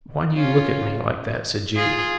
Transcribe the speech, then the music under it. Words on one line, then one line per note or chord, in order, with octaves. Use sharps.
"Why do you look at me like that?" said Jude.
C#4 F4
F4 G#4